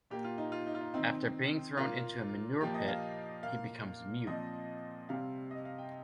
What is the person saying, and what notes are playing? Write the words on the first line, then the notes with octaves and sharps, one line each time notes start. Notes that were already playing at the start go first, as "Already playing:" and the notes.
After being thrown into a manure pit, he becomes mute.
A#2 A#3 G4
F4
D#4
F4
D#4
F4
D#4
D#3 C4 D#4
A#2 A#3 F4
A#2 F3 A#3 G4
D#5
F5
A#2 A#3 F5
A#2 F3 C4 D#5
C3 G3 C4 F5
D#5
F5
G5